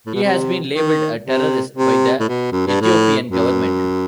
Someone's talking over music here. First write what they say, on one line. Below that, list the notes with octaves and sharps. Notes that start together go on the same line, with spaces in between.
He has been labelled a terrorist by the Ethiopian government.
A2
B2
C3
D#3
C3
C3
A2
B2
F#2
G2
A2
F#2